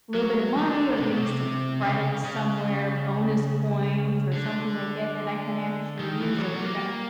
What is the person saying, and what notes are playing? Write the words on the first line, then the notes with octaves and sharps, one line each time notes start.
little bit of money or give me some credit somewhere, bonus points, or something like that that I can actually use if you're gonna,
F#3
D3
C3
B2
C3
C#3
C#3
D3
D#3
E3
G3
F#3
B3
A#3